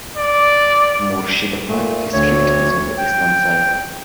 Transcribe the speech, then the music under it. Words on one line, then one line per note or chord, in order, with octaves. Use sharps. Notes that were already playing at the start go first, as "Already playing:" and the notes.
Murshidabad district is on the eastern side.
D5
A#2 A3
D2 C#5
G5